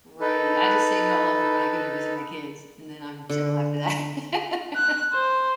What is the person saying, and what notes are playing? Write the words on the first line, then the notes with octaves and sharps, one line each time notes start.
Right. I just save it all up for when I go to visit my kids, and then I'm chill after that.
D#4 A4 B4
D3
F#6
C5